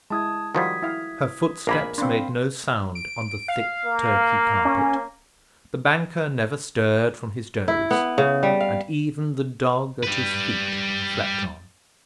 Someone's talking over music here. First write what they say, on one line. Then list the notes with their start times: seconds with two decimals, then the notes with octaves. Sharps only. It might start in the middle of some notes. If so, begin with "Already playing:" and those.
Her footsteps made no sound on the thick Turkey carpet; the banker never stirred from his doze, and even the dog at his feet slept on.
0.10 G#3 E4 A5 D#6 G#6
0.55 D#3 F3 G3 F#4 D#6 G#6 B6
0.82 E4 F5
1.67 A#1 A#3 A#4 G#5 B5
1.98 C4 D4 F5 B5 C6
2.95 D7
3.48 F5
3.85 A#3
4.65 C#4
7.68 E4
7.91 B3
8.18 C#3
8.43 G3
8.60 F5
10.03 G3 B4